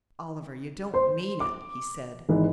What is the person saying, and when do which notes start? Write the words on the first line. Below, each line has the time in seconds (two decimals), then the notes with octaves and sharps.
"Oliver, you don't mean it," he said.
0.94 C5 C6
1.40 D6
2.29 G#1 G#2 E3